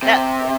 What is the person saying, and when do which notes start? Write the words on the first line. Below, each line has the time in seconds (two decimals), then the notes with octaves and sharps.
That, uh,
0.02 C3